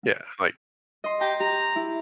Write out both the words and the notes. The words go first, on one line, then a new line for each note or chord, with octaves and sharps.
Yeah, like
D#5 C6
G4 G5 A#5
G4 A#5
E4